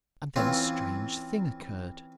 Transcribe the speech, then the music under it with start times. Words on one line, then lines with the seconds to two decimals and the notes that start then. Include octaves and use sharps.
And then a strange thing occurred.
0.36 E3 C4 C#4 F4